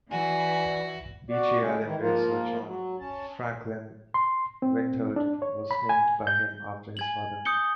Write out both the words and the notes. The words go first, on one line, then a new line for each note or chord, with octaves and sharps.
Beechey Island, where Sir John Franklin wintered, was named by him after his father.
E3 F#4 D5 G#5
F#4 D5
C#3 G#3
D#3 E3 E4
F3 A#3 F4
F#3
C#4 A5
C6
C4
D4
C#5
B5
G#5
G6
G#5 G#6 F#7
D#6 G6 C#7 G7